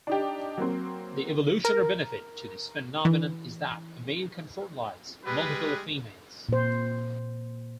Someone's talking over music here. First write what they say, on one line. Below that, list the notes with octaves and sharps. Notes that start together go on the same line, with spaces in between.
The evolutionary benefit to this phenomenon is that a male can fertilize multiple females.
D4 D#4 G4
F#3 A#3 C4
A#4
E3
G3 G#3 B4
A#2 C5